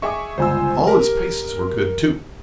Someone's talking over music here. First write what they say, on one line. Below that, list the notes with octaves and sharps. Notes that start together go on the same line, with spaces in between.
All his paces were good too.
G#4 D#5 E5 G5 C#6 D6
G1 C#2 C5 G#5 E6
G4 A#4